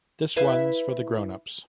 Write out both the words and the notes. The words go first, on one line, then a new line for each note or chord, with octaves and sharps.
This one’s for the grownups.
E4 B4 F5